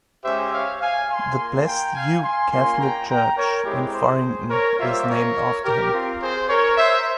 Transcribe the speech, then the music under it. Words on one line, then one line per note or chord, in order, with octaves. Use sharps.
The Blessed Hugh Catholic Church in Faringdon is named after him.
G#3 C#4 G4 C5 E5
C#5 F5
F5 G#5
G#5 C6
A#3 F4
G5 A#5
F5 G#5
G#5 C6
A#3 C#4 F4 G#5 C6
G5 A#5
G5 A#5
A#4 C#5
G#3 C4 E4 G4
G#4 C5
A#4 C#5
G3 A#3 F4 C5 E5
A#4 C#5
G4 A#4
C4 F4
G#4 C5
A#4 C#5
C5 E5